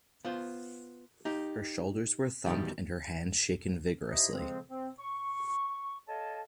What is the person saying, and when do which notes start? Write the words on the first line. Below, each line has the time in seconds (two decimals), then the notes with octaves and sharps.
Her shoulders were thumped and her hands shaken vigorously.
0.25 B3 F4 C5
1.25 D#4 G4
2.46 E2 B2 D#3 G3
4.10 D#4 E4 G4 C5 D#5 E5
4.32 F2 C#3 F3 G#3 C4
4.69 C4
4.99 C#6
6.08 A4 C#5 D#5 F5 A5